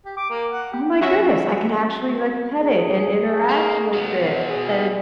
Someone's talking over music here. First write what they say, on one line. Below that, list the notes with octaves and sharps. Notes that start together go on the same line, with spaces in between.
oh, my goodness, I could actually, like, pet it and interact with it," and
G4
D6
A#3
F#5
G4
F#3 C#4 F#4 E5
G#4
A#3
F#3 B3
G#4